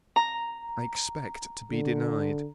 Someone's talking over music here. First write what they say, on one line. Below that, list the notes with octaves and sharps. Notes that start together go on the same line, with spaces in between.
I expect to be denied.
A#5
D3